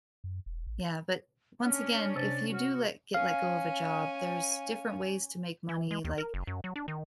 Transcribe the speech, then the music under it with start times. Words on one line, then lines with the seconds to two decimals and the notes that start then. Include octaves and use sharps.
Yeah, but once again, if you do let get let go of a job, there's different ways to make money, like,
0.24 F#2
0.46 E1
0.67 A1
1.62 C#4 D4 F6
2.16 C3 A6
2.54 F#4 F6
3.14 C#4 F5 G#5
5.69 E3
5.91 G#3
6.04 D#2
6.18 A#4
6.34 F#1
6.47 F#2
6.64 F#3
6.76 D4
6.88 D#3